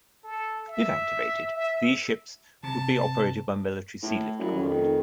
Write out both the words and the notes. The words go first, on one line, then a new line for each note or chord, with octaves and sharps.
If activated, these ships would be operated by Military Sealift Command.
A4
E5
E5
C3 A5
A2
F#2 G3
F2 D#3
F1